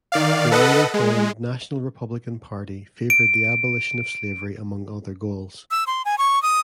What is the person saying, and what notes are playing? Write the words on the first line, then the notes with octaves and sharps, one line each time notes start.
The newly formed national Republican Party favored the abolition of slavery among other goals.
D#3 D5 F5
A4 B4 D#5 F#5
G#3
D7
E6
C6
G#5
C#6
D#6